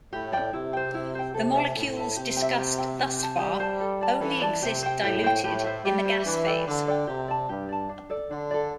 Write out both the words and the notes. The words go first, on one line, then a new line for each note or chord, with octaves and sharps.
The molecules discussed thus far only exist diluted in the gas phase.
A2 G4
D5 G5
C3 E4
C5 G5
E4
C5 G5
C3 A4
E5 A5
A2 A4
E5 A5
C3 G4
G5
E5
G4
E5 G5
G4
C5 A5
G3 G4
C5 A5
A4
D5 A5
E3 A4
D5 A5
C3 G4
C5 G5
A2 G4
C5 G5
A2 G4
C5 E5
G3 G4
C5 E5
E3 D4
A4 D5 G5
D3 D4
A4 D5 G5
C3 G4
D5 A5
G2 G4
D5 A5
D4
A4 D5
D3 D4
A4 D5